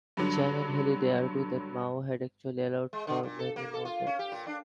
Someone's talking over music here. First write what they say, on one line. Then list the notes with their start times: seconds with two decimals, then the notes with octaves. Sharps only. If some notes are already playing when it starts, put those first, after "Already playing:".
Chang and Halliday argue that Mao had actually allowed for many more deaths.
0.17 G2 D3 F#3 D4
2.93 G#3
3.07 D3
3.23 A#2
3.39 A4
3.56 A#3
3.74 A4
3.85 F4
4.07 C#4
4.19 G4
4.32 A#2
4.47 D4